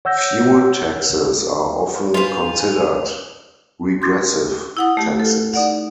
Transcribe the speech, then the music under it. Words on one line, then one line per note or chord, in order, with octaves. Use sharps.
Fuel taxes are often considered regressive taxes.
C#5 F#5 E6 G6 A#6
F4 B4 C5 G#5 F7
C6 G#6
E4 F#5 D#6
A3 G4
A4
D#4 D5 F#5